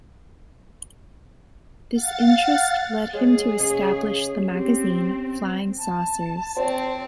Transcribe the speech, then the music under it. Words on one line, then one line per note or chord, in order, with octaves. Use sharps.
This interest led him to establish the magazine "Flying Saucers".
F5 F#5 A6
G#3 G#4 C#5
C#3 C#4 C#5 D#5
C4 G4
A5
C4 C5 C#5